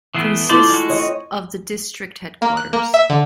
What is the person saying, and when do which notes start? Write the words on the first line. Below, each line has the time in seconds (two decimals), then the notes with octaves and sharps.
Consists of the district headquarters.
0.15 E3 A3 B3 D#6 C7 D7
0.49 A3 E4 F4 C5 D5
0.70 G#3 F#4
0.89 C4 C#5 D#5
2.42 A#3
2.57 F#6
2.73 A#3
2.94 E5
3.10 D3